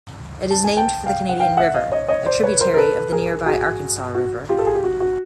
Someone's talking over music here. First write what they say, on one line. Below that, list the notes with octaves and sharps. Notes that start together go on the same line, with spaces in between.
It is named for the Canadian River, a tributary of the nearby Arkansas River.
A5
G#5
G5 A5
F5 G5
F#5
F5 G5
E5 F#5
D#5 F5
C#5 D#5
C#5 D#5
C5 D5
B4 C#5
A#4 C5
A#4
A4 B4
G#4 A#4
F#4 G#4
F#4
F4 G4
A4
G#4
G4
F#4
F#4